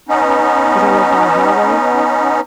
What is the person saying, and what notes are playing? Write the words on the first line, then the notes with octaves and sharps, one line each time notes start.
cause I live by a highway,
B3 C#4 D#4